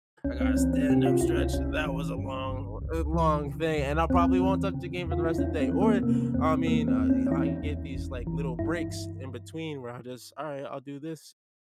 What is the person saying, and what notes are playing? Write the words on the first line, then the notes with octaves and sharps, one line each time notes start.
I gotta stand up stretch. That was a long a long thing." and I probably won't touch the game for the rest of the day, or, I mean, uh, I can get these, like, little breaks in between where I just, "Alright, I'll do this
C#2 C#4
C4
E3 C#4
C4
C3 G4
F4
C#2 E4
C#4
G1 C#4
E3
G2
G1
C#2
E3
C#3
C#2
E2 C4
E3
C#3
E2
F4
E4
E2 C#4
C4
E3
A#3
C3 A#3
E2 C4
E3 A#3
C4
E2
C#4
C#4
E3 E4
E2
G1
E3
G2 E4